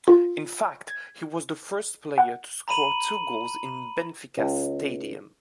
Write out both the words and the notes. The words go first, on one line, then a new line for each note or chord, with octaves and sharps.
In fact, he was the first player to score two goals in Benfica's stadium.
F4
G#6
F#5
A#5 B5 D#7 F#7
C#2